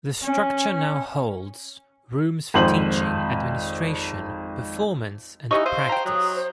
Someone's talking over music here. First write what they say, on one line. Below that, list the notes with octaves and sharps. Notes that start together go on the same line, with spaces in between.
The structure now holds rooms for teaching, administration, performance and practice.
C#4
G#1 F2 C5 F#7
E3 D#4 G4 D#5 C#6
C5 D#5 F5
G5 A#5
F#3 D#6
C5